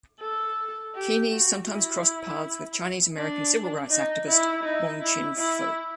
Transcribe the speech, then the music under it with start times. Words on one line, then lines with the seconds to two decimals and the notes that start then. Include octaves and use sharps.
Kearny sometimes crossed paths with Chinese-American civil rights activist Wong Chin Foo.
0.20 A4
0.95 G4
1.32 F#4
1.68 E4
3.17 D4
3.90 D#4
4.27 E4
4.64 D#4
5.01 E4
5.38 E4